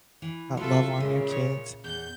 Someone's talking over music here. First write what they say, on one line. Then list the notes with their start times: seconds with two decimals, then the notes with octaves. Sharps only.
love on your kids.
0.22 E3
0.57 F#3 F4 A4 E5
1.00 A#2 C#3 G#3
1.32 C#5
1.84 E2 G6